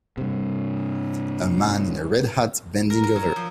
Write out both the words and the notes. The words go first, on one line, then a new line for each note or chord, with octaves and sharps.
A man in a red hat bending over.
G2 C3
A#4
A#4
F#3
F3